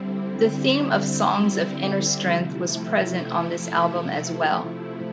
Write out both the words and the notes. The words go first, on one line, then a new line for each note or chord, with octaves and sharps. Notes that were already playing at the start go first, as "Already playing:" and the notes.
The theme of songs of inner-strength was present on this album as well.
Already playing: D3 G3 C4 E4
C3 F3 A3 E4